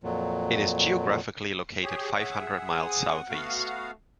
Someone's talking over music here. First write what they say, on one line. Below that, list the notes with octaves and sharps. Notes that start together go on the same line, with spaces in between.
It is geographically located five hundred miles south-east.
F2 A#2 F#3
G4 G#4 C#5
G#4 E5 F#5
C4 G#4 D#6
A3 B3 F#4 F5